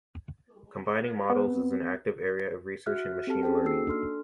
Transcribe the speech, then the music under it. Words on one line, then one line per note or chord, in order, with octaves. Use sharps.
Combining models is an active area of research in machine learning.
B3
C4
F#4 E5 F6 F#6
C4 G4 A4 A5 F6
C#4 G#4 A4 C5 G5
A#3 D#4 F#4 E6 C7
D4 A4 C6 F6